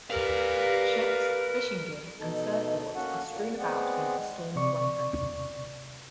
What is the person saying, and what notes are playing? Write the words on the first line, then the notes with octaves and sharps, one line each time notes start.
Ships, fishing gear and surfboards are strewn about where the storm flung them.
G4 A#4 B4 D5 F5
B2 D#4 A4
A#3 C#4 F#4 A4 F#5
A#2 A#3
G#3 B3 C4 G#4 D5 F#5
C3 D5 C#6